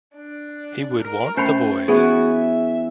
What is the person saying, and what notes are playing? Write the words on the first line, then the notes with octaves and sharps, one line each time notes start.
He would want the boys.
D4
A#4
A3 C#4 C5 G5 B5
E3 B3 F#4 G#4 C#5
E5